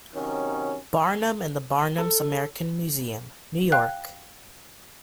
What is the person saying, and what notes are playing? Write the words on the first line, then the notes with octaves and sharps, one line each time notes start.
Barnum in the Barnum's American Museum, New York.
C3 D#3 F#3 C#4
A4
F5 G5 F#6